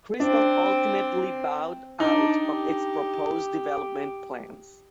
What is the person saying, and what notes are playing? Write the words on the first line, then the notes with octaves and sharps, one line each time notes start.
Crystal ultimately bowed out of its proposed development plans.
C4 D4
D4 D#4
G4